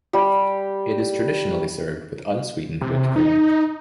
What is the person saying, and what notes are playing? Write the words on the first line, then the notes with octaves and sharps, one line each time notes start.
It is traditionally served with unsweetened whipped cream.
G3 G4
C3
D#4